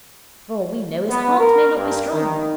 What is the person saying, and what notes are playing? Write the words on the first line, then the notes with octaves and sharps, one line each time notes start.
For all we know, his heart may not be strong.
B3
A#4
G2
D#3